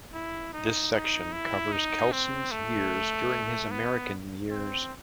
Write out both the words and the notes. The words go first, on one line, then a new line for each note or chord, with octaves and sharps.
This section covers Kelsen's years during his American years.
E4
D#4
D#4
E4
D#4
C4
A3
B3
C4